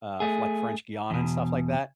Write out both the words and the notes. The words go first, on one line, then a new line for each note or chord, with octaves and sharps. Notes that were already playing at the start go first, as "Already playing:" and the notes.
uh, like, French goan and stuff like that.
A3 G#4
E2 B2